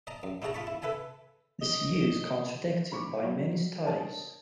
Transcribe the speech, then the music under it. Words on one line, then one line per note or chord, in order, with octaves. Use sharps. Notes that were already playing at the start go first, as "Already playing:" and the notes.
This view is contradicted by many studies.
D#5 A5 A#5
F#2
D#4 E4 F#4 G#4 A5 A#5
F4 A5 B5 C#6
E4
A4 B4 E5 G#5 A5
D#5
B5 C#6 D6
F#3
A#4 C#5 D#5 A5